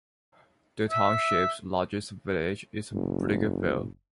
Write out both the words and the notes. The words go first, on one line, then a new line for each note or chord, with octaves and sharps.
The Township's largest village is Brickerville.
E5
F#1